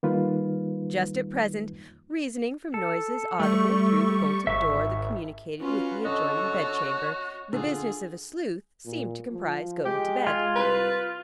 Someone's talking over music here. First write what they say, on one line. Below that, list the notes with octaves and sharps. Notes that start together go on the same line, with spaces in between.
Just at present, reasoning from noises audible through the bolted door that communicated with the adjoining bed-chamber, the business of a sleuth seemed to comprise going to bed.
D#3 G3 A#3 D#4 F4 B4
A4
G3 A3 C#6
G#1 E5 C#6
C#4 F4 F#4 B4
D3 F#4 A4 C#5 D#5
D3 F4 G#4
A#2
F3
G#3 G4
F4 G#5
C2 B4